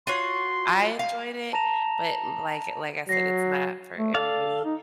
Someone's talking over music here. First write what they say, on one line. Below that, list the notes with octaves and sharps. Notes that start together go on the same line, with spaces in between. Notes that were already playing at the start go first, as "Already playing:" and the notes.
I enjoyed it, but l like like I said, it's not for everybody.
F4 F#4 C#5 C6
F5
A5 A#5 A#6 E7 F7
F#3 A#6 C7
A3
A4 D5 F5
D#4